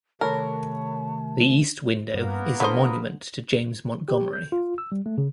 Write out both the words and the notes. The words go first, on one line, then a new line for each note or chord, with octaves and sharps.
The east window is a monument to James Montgomery.
C3 D#3 A3 A4 A#4 C#5 A5 B5
G2 A#3 B3 A#4
D3 F#4 C5 B5 D#6
G4
G6
F4
E6
G3
A3
C#3